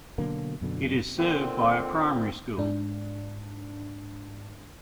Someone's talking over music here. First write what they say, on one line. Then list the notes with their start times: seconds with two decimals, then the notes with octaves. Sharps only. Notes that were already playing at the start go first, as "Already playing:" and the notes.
It is served by a primary school.
0.18 B2 D3 F#3 A#3
0.61 F#2 B2 D3
1.18 A#2 D3 D#3 C4
2.58 G#2 D4